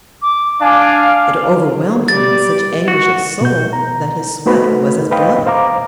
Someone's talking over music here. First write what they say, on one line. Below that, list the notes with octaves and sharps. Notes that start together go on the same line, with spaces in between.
It overwhelmed him with such anguish of soul that His sweat was as blood.
D6
D4 F5 G#5 D6
G3 D5 A6
F#4
B2 G6
A#5
A3 D#4 F#4 B4 C5 B5
B4 C5 D#5 F5 G5 B5
C5 F5 A#5 D6